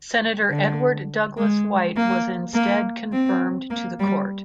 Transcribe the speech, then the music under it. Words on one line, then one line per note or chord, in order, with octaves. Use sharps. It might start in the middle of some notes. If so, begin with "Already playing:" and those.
Senator Edward Douglass White was instead confirmed to the Court.
D3
G#3
A#3
A#3
C4
A#3
G3